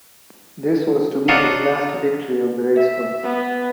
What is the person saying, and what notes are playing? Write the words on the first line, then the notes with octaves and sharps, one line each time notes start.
This was to be his last victory on the racecourse.
D4 D#4 F4 F#4 C5 C#5
E5
B3